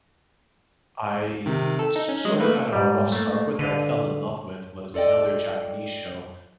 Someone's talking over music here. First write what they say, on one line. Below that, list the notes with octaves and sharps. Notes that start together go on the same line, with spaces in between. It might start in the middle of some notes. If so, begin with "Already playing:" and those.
I s sort of had a rough start with but I fell in love with was another Japanese show
C3 D#3
A4
D#4
C#4
F#3 G#3 D#5
A3 A#3 B4
G#2 G3
A3 A#3
D3 B4 D#5 F5
F4 A4 D5 D#5 G5